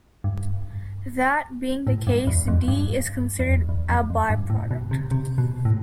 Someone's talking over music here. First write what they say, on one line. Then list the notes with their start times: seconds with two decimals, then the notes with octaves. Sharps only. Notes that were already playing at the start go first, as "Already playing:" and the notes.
That being the case, D is considered a byproduct.
0.24 G2
1.87 A2
2.07 G2
2.27 E2
2.48 F2
2.68 G2
3.40 E2
3.49 F2
3.69 E2
3.89 F2
4.10 F2
4.30 G2
4.50 A2
4.71 B2
4.91 C3
5.11 C3
5.38 B2
5.65 A2